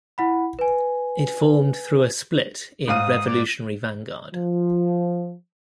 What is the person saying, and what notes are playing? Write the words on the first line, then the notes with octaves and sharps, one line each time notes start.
It formed through a split in Revolutionary Vanguard.
E4 F#5 B5
B4 G#5
G#2 F5 D#6 D#7
D5
F3